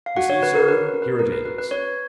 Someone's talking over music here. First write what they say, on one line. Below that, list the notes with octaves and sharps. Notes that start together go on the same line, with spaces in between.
You see, sir, here it is.
F5
F#4 F#5
C#5
F#4 B4
A#4
F#4 B4
B4
C#4 A#4
B4
C#4 A#4
B4
F#4 B4
B4
C#4 C#5